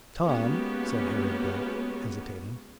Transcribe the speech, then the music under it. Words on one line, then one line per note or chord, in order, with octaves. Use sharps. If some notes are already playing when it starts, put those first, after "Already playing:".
"Tom," said Harry Blake, hesitating.
G#3 A#3 B3 C#4 F#4 G4